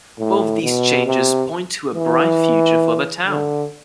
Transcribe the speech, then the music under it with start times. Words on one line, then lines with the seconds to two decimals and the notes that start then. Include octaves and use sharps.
Both these changes point to a bright future for the town.
0.19 A2
0.63 B2
1.07 C3
1.95 E3
3.27 D3